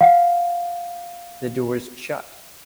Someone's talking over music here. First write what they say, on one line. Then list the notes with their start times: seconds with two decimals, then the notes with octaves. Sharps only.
The door's shut.
0.01 F5 F#5